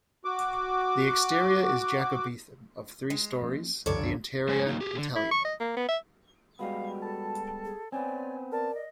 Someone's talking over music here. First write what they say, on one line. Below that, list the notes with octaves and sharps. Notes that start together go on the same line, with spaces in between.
The exterior is Jacobethan, of three storeys, the interior Italianate.
F#4 D6
G#3
F3 A#3 C#4
G1 C#2 F#2 F3 A4 C#5 D5
G#3 C5 C#5 G#5
F#3 A#3 D#4
G4 G#4
D3
E4
C#6
D#5
A#3
B3
E5
G3 G#3 B3 F#4 F5
A4 A5
G#4
B3 C4 C#5 D5 G#5
A#4 D5 A5
D#5